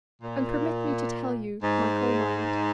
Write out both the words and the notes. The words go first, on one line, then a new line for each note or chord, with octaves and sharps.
And permit me to tell you my whole mind.
A#2
G#2